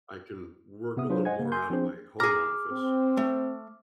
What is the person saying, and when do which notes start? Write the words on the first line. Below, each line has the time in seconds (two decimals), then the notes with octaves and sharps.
I can work a little more out of my home office
0.97 C3 B3 E5 D#6
1.09 F#3 D4 F4 G#4 B4 C5
1.25 C5 D#5 F#5 G#5 G#6
1.39 C#3 A#3
1.52 G#5 C6 G6
1.70 F3 C4 D4 G#4 C5
2.20 G#4 A#5 D6 F6
2.72 C4
3.17 A3